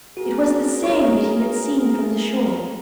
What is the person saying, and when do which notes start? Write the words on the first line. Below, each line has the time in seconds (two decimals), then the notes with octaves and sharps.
It was the same that he had seen from the shore.
0.17 F4 F#4 G#4 A#4
0.84 C#5